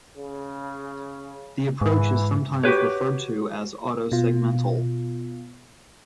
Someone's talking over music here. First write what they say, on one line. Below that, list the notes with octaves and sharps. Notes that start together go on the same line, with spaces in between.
The approach is sometimes referred to as Autosegmental.
C#3
G#2 E3
F#4 G4 B4 C#5
B2 F4